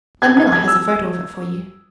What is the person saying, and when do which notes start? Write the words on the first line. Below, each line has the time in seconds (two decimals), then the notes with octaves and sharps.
Ludmilla has a photo of it for you.'
0.22 G#6
0.37 G#6
0.52 G#6
0.68 E6